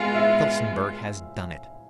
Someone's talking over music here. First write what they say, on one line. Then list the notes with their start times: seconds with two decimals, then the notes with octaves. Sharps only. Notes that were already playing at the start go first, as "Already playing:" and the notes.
Felsenburgh has done it.
Already playing: G#3 B3 F4 F5 G#5
0.15 E5